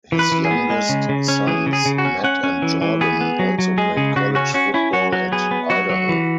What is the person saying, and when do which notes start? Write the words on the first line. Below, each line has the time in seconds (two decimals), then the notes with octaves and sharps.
His youngest sons, Matt and Jordan, also played college football at Idaho.
0.12 E3
0.19 B4
0.32 E3
0.45 G#4
0.51 B3
0.70 G#3
0.89 C#3
1.09 C#3
1.28 C#4
1.47 E3 G#4
1.66 C#3
1.73 G#4
1.86 C#3
1.98 F#4
2.05 C#4
2.24 C#4 F#5
2.44 C#4
2.62 E3
2.82 E3
3.01 B3 G#4
3.21 B3
3.39 F#3
3.59 F#3
3.78 G#3 G#4
3.97 C#3 G#4
4.16 C#3 F#4
4.35 C#4 F#4
4.54 C#4 F#4
4.74 C#4 E4
4.93 F#3 F#4
5.12 F#3 F#4
5.32 B3 G#4
5.51 B3
5.70 F#3 F#4
5.90 F#3
6.09 E3